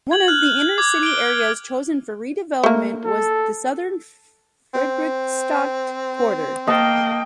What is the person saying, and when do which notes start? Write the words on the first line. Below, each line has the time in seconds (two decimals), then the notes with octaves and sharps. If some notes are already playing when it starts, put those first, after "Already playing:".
One of the inner city areas chosen for redevelopment was the southern Friedrichstadt quarter.
0.11 G#6 F#7
0.28 F6 F#6 F#7
0.78 D6 G#6
1.03 D7 G7
2.63 A3 A#3
3.05 A4
4.74 C4
6.67 A#3 D#5 G5 A5